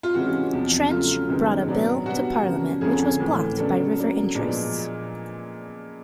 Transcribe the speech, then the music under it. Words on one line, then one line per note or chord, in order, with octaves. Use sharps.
Trench brought a bill to Parliament which was blocked by river interests.
F4
C3 E3 G#3 C#4 F#4
E2 C3 F3
C#3 F#3 A3 F4
F#2 D#3 G#3 B3
B2 F#3 B3 D4
B2 G3 B3 D4 F#4
C#3 F3 A#3 C#4
F2 D3 F3 A#3 C#4 G#4
A2 E3 A3
C#3 F#3 B3 D4 A4
C#3 F#3 A#3 D4
A#2 F3 G#3 B3 D4